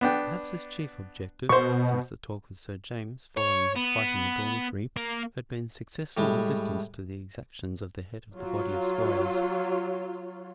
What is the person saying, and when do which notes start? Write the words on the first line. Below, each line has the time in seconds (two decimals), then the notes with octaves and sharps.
Perhaps his chief objective since the talk with Sir James following his fight in the dormitory had been successful resistance to the exactions of the head of the body of squires.
0.01 B3 D4 G5
1.49 B2 C5 C#6
3.37 C#5
3.76 B3
4.96 A#3
6.17 A2 G3 G#3
8.36 F#3 F4